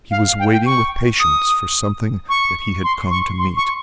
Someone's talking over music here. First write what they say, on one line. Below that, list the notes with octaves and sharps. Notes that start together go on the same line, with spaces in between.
He was waiting with patience for something that he had come to meet.
F5
G5
G5
C#6
D#6
C#6
C6
C#6
C6
C#6